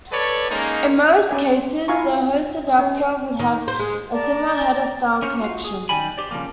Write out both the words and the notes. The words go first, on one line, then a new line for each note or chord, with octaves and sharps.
In most cases, the host adapter would have a similar header-style connection.
A4 B4 C#5 D5
G#3 A#3 C#4 D#4
C#4 D5 G#5
E4 F4 F5 G#5 A#5 C#6
C#4
D#3
C5
G#3
D5 A5 A#5 D6
C#4 A#4 C5 C#5
F4 F#4 F5
G#4
D#3 G3 G4 G#5 B5
G4 C5 D5
C#3 F3 G3 G#3 A#3